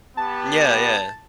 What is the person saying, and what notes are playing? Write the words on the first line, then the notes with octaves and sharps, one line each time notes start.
Yeah, yeah.
B3 G4 A5